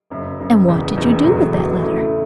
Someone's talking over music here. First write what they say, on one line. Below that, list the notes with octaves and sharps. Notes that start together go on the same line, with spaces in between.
"And what did you do with that letter?"
F#1 F#2 C#3
F#1 F#2 C#3
E1 E2 C#3
E1 E2 C#3
E1 E2 B2 F#3 A3
E1 E2 B2 F#3 A3
C#3 A3 E4
C#3